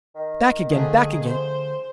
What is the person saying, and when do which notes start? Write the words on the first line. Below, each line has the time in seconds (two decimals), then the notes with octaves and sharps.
'Back again! back again!
0.15 D#3
0.71 D3 F3 A3 G#4
1.25 C5